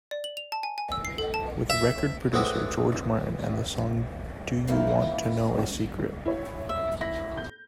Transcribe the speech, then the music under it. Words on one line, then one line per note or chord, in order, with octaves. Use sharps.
With record producer George Martin, the song Do You Want to Know a Secret?
D5
F#7
F7
A5
G#5
G#5
E6
C7
A4
A5
E5
A2 G#3 B3 C4 F#4 G4
C#3 E3 F3 A#3 D#4 E4
E4 C#5
E5
E4 A#6
G6